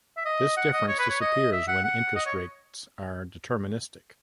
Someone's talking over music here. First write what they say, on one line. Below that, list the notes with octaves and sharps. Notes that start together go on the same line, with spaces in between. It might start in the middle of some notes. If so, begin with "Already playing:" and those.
This difference disappears when interest rates are deterministic.
E5
D#5
F#5
D#5
C#5
B4
C#5
D#5
E5
F#5
F#5
D#5
C#5